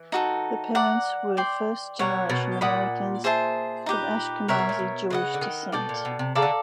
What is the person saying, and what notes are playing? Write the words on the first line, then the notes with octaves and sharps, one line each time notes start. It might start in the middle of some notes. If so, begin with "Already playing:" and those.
Her parents were first generation Americans of Ashkenazi Jewish descent.
Already playing: E3
D#4 F#4 A4
D5 F#5 A#5
D5 G5 C6
B2 G4 A#4 C#5 F#5
B2
A#2 D5 F#5 B5 D#6
G#4 C5 E5 A5
D#4 G4 B4
C3 A#4 C#5 E5
B2
A#2
B2
C#3 B4 D#5 F#5
D3
D#3
B2 A4 D5 G5
A#2
B2
C3
C#3 A4 D5 F5 A#5
D3